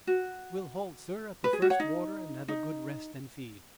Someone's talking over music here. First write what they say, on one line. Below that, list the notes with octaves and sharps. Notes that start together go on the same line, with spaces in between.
"We'll halt, sir, at the first water, and have a good rest and feed."
F#4
B4
G#4
F#4
C#5 F#5
D#4
D#4